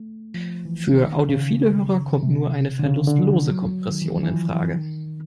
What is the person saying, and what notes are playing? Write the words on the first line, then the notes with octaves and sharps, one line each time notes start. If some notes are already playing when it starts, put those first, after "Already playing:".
Für audiophile Hörer kommt nur eine verlustlose Kompression infrage.
Already playing: A3
F3
E3
D#3
C#3
C3
D3
C#3
D3
D#3
F#3
D#3
E3
F3
E3
F3
E3
D#3